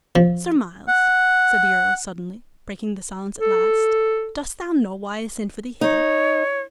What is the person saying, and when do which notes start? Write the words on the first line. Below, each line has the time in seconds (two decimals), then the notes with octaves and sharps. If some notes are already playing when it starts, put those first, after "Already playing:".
"Sir Myles," said the Earl, suddenly, breaking the silence at last, "dost thou know why I sent for thee hither?"
0.16 F3
0.88 F#5
3.39 A4
5.81 D#4 C#5